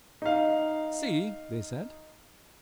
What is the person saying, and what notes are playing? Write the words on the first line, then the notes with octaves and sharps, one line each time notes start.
"See!" they said.
D#4 F5